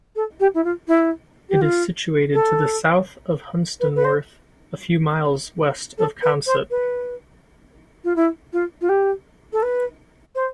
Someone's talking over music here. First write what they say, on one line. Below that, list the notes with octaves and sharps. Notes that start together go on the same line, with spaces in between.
It is situated to the south of Hunstanworth, a few miles west of Consett.
A4
G4
E4
F4
E4
G4
F4
A4
B4
B4
C5
A4
B4
C5
B4
F4
E4
F4
F4
G4
A4
B4
C5